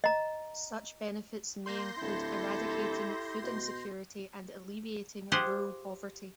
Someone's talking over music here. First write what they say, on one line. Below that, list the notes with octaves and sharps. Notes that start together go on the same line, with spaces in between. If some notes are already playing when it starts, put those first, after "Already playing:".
Such benefits may include eradicating food insecurity and alleviating rural poverty.
D#5 A#5
A#3 C6 G6 A#6
D1 E4 G4 A4
B2
F4 G4 G#4 C5 F#5